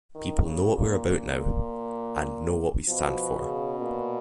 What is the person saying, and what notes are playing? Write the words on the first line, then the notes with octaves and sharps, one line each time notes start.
People know what we’re about now and know what we stand for.
D#3
C#3
A#2
A#2
B2 F3
C#3
A#2